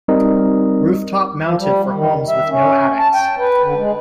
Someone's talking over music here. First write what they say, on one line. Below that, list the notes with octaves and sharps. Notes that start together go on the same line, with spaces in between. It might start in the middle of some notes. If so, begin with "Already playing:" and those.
Rooftop Mounted for homes with no attics.
G3 C4 D#4 A#4 D#5
F3
G3
D#3
E5
C#4
A5
G5
B4
D3
G#3